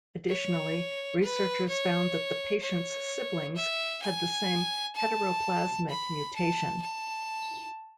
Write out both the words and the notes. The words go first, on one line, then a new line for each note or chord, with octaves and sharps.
Additionally, researchers found that the patient's siblings had the same heteroplasmic mutation.
C#5
B4
C#5
C#5
E5
G#5
A5
B5
A5
A5